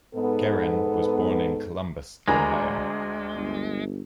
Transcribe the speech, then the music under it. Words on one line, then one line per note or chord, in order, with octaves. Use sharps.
Geren was born in Columbus, Ohio.
G#2 B3 A4
D2 G#3 D4 A#4 G#5 A#5 B5
G1